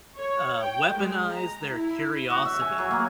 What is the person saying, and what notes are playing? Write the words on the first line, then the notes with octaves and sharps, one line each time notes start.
uh, "Weaponize their curiosity,"
C#5
G5
G#3
A#5
E4
F#4
E5
G#5
F#3
A#3